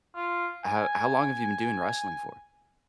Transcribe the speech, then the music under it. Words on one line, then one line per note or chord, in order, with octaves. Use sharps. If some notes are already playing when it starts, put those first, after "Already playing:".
How how long have you been doing wrestling for?
F4
G#5